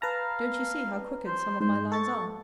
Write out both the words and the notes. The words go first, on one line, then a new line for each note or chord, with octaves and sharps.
Don't you see how crooked some of my lines are?
B4 F5 A5 A#5
C5
G#2 C5
A4 C#6 A6